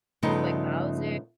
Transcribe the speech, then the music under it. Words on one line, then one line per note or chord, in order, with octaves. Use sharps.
like, Bowser,
G2 C#3 F3 A3 B3 D#4